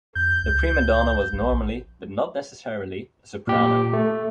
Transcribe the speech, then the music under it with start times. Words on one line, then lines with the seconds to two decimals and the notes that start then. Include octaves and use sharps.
The prima donna was normally, but not necessarily, a soprano.
0.15 F2 G6
0.42 C#2
1.32 A#1
3.47 A#2 G4
3.93 A3